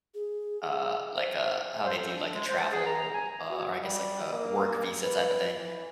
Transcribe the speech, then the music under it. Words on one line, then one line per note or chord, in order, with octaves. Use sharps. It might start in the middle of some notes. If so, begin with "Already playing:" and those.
Uh, like, uh, how they do, like, a travel, uh or I guess, like, a work visa typa thing.
G#4
C5
C5
A4
D4
G#3
C5
A5
G#4
A#5
A#5
G#5
F#4
G3
A#3
B4
E3